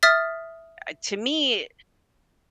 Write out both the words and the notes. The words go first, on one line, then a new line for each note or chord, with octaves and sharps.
uh, to me,
E5 D#6 F6 A6 B6